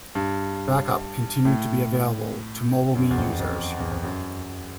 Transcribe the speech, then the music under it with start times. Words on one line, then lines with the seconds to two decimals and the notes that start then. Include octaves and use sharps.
Backup continued to be available to MobileMe users.
0.15 G2
1.45 A2
2.95 F#2
3.11 E2
3.18 F2
3.39 F2
3.80 E2
3.92 F2
4.04 F#2